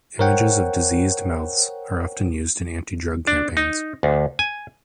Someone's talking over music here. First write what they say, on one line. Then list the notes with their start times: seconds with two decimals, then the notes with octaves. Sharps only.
Images of diseased mouths are often used in anti-drug campaigns.
0.19 A#4 C5 C#5 F#5 G5
3.27 D4
3.57 D#4
4.03 D2
4.39 G#5